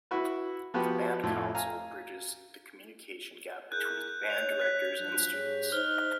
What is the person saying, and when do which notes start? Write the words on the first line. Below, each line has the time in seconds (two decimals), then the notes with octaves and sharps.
The Band Council bridges the communication gap between the band directors and students.
0.11 E4 F#4 B4
0.74 F3 B3 F#4 G4 B4
1.23 F2 A2
1.55 F5 G#5 A#5
3.72 E4 G#4 A#4 F#6 G6
4.30 C#5 F7
4.60 F#6 B6
5.00 F3 F#3 D4
5.32 G2 G#4 C#5
5.72 D#4 C5 F6 G7